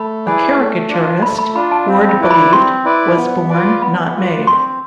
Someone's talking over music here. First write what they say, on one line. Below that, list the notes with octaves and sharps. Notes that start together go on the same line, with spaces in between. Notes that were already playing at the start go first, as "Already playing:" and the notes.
A caricaturist, Ward believed, was born, not made.
Already playing: A3 B5
E4 G#4 B4 D5
A3
D4 F4
A3 B5
B5
D4 F4 B5
A5
C4 F5
B5
E4 B4 D5
B5
C4 C6
E4 B4 D5
B3
F4 B4 D5
B3 B5
F4 B4 D5
C4 C6